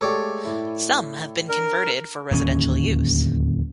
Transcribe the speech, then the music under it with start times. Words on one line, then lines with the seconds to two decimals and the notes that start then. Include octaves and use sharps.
Some have been converted for residential use.
0.01 G#3 A3 G4 A4 C#5 D5
0.44 A2 E4
1.49 D4 A#4
2.31 D1 D#2 E3 C#4